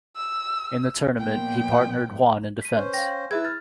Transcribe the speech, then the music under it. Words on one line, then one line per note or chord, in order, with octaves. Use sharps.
In the tournament, he partnered Juan in defence.
E6
A#2 F3 B3 G5
B6 D#7
C#4 B4 C5
F5 G5 A#6
E4 G#4 B4 E5 E6 G#6
F6 A6